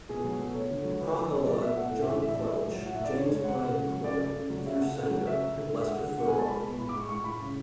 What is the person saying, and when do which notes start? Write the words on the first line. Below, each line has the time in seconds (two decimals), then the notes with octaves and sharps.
Prahalad, John Quelch, James Brian Quinn, Peter Senge, and Lester Thurow.
0.09 B2 G#4
0.24 F#3
0.40 B2 A4
0.55 A3 C#5
0.70 D3
0.85 F#3
1.00 D3 B4
1.15 A3 A4
1.31 B2 C#5
1.46 F#3 D5
1.61 B2 E5
1.77 A3 F#5
1.91 A2
2.02 E3 E5
2.22 A2 E5
2.33 A3 D5
2.44 E5
2.53 A2
2.68 F#3
2.83 A2 F#5
2.95 A3 E5
3.04 D5
3.13 C#3 C#5
3.29 G#3 C#5
3.44 G#3 F#5
3.59 C#3
3.74 C#3
3.90 F#3
4.04 C#3 D5
4.20 A3 D5
4.35 C#3
4.50 F#3
4.66 C#3 E5
4.81 A3 F#5
4.96 C#3 F#5
5.11 F#3
5.26 C#3 E5
5.42 A3
5.57 D3
5.72 G#3
5.81 E5
5.87 G#3 F#5
6.03 D3
6.18 B2 F#5
6.28 G#3 G#5
6.38 A5
6.48 G#3 B5
6.63 B2
6.78 A2 B5
6.89 D6
6.94 G#3 C#6
7.09 G#3 C#6
7.24 A2 B5
7.40 C#3